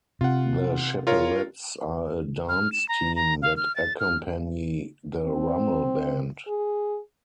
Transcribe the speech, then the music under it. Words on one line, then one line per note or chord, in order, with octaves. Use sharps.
The Chapellettes are a dance team that accompany the Rummel Band.
C3 F4 F#5
F4 A#4 C#5
F6
E7
A#5
A#5
F5
F6
A6
F6
C4
G#4